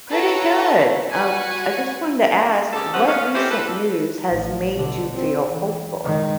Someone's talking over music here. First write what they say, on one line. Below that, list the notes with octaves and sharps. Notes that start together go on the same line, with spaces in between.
Pretty good. Um, I just wanted to ask what recent news has made you feel hopeful?
A4 B4 C#5 F#5 A5 A#5
F#4 B4 F#5 G#5
C#3 G4 A4
F#2 C3 B3 C#4 C5 F#5
B3 C#4 F5
C4 C#4 E4 G4 A4 C5
A4 B4
A1
B2 D3
C4
E3
D#3 G#3